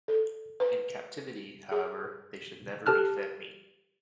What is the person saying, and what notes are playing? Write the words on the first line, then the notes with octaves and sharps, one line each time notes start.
In captivity, however, they should never be fed meat.
A4
B4
G#4
G4 A4 A5 F6 F#6